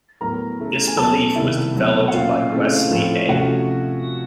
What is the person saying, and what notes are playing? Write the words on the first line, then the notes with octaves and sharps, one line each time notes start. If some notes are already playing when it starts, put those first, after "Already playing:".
This belief was developed by Wesley A.
A2 F#3 B3 A#4 A#5
C#3 E3 A3
G#5
B2 F#3 B3 A4 A5
C3 D#3 G3 A#3 E4 E5
B2 F#3 A3 C4
F#5
A#2 F#3 A#3 C#4 F4 F5
C#3 E3 A3 C4
A2 F3 A3 C4
C3 F3 A3 C#4 F#4 F#5